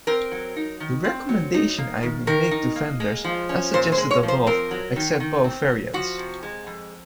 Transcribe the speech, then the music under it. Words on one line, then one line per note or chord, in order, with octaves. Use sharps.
The recommendation I would make to vendors.. as suggested above.. accept both variants.
C4 A#4
F#3
D#4
D#3
C4
F#3
D#4
A#3
D#3
D#3 A#4
D#4
A#3
G#3
F3
C#4
A#2 C5
C5
G#3
C#5
F3
C5
C4 A#4
F#3
D#3
D#3
C4
F#3
F3 F#4
C3
G#3
F2